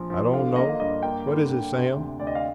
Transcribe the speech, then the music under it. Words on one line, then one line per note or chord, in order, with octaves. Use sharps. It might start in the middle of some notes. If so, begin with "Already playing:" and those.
"I don't know,--what is it, Sam?"
Already playing: A#1 F3
F3
D3 F5
A#3 D#5
F5
G2 D#5
A#3 G5
D3
D3
C3
D2
D2 D5
D#5
F5